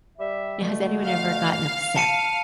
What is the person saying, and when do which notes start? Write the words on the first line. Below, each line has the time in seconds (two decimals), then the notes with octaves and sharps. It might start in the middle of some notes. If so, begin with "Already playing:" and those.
Now, has anyone ever gotten upset
0.18 G3 E5
0.59 B2 D3 A3
1.06 F5
1.96 A5 C#7 D#7